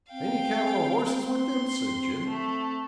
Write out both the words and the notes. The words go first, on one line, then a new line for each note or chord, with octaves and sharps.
'Any cattle or horses with them?' said Jim.
C4 F5 G5
C6
A3